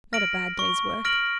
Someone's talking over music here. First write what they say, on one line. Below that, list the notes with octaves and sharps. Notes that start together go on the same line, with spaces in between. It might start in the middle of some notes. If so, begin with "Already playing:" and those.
"Not a bad day's work."
F6 A#6 D7 F#7
C#6
F6 A#6 D7 F#7